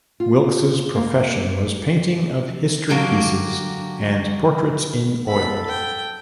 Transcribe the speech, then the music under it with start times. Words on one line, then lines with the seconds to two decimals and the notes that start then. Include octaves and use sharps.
Wilkes' profession was 'painting of History Pieces and Portraits in Oyl'.
0.20 F4
0.95 A#3
2.89 D3 F#3 A#3 G4
5.28 F#3 A4 B5
5.68 G5